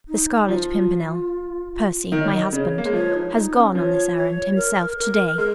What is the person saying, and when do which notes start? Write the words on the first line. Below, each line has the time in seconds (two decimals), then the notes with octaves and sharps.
The Scarlet Pimpernel--Percy, my husband--has gone on this errand himself to-day.
0.08 D#4
0.48 F3 F4
2.12 D#3 D#5
2.22 C#5
2.33 D#5
2.52 C#3 C#5 D#5
2.78 A#3
2.86 G#3
2.93 F3 C#5
3.14 D#4
3.34 D#4
3.55 C#4
3.75 F3 C#5
4.16 C#5
4.56 A#4
4.98 A#4
5.38 G#3 A#4